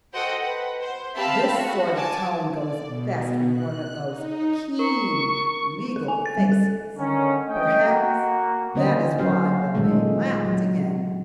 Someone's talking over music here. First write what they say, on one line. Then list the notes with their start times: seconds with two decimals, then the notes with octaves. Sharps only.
This sort of tone goes best with one of those keen legal faces; perhaps that is why Belvane laughed again.
0.13 F#4 A4 C5 D#5 F#5 G5
0.42 B4 F#5
0.80 C5
1.16 C4 G4 E5 F5 A5 B5
1.56 F#4
1.94 G#5 A5 D6
2.51 D5
2.85 B2
3.50 F#6
4.04 D#4
4.79 A#4 C#6
5.96 A4
6.08 G#5
6.26 A6
6.38 G3
6.52 A4
6.96 D3 D#3 C#4
7.48 A3 D#5 G5
7.86 A#3 F#4
8.75 D3 A#3 C#4 C5 D#5
9.18 F#3 C#4 F#4 C5 F5
9.75 A#2 D#3 G#3 A3 A4
10.45 F#3